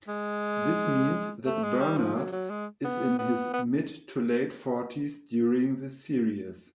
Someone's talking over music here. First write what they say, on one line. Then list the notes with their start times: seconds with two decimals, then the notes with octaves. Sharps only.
This means that Bernard is in his mid- to late-forties during the series.
0.08 G#3
1.46 A3
1.64 G#3
1.81 G3
1.98 F3
2.16 F#3
2.32 F#3
2.50 G#3
2.85 B3
3.19 B3
3.54 B3